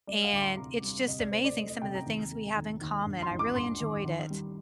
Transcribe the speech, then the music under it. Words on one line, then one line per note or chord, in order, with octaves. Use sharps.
and it's just amazing some of the things we have in common. I really enjoyed it.
G3 D5
F5
D2 D6
C6
C3 A#5
G3
C3 D#5
D5
A3 C5
D5
A3 D#5
D#5
C3 G5
A#5
D#2
A3
D#2
D#2
G2
C6
A1
D6
G2 C6
D#3
D#3
G3